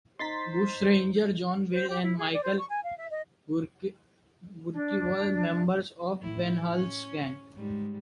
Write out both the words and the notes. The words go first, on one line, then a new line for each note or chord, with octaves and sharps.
Bushrangers John Vane and Michael Burke were members of the Ben Hall's gang.
D#4 C5 A#5 C6 A6 B6
C5
G4
E4
G#4
D5
C5
C#6
G#5
F5
E5
D#5
D4
A2 E4
C#4
G#2 G3 G#3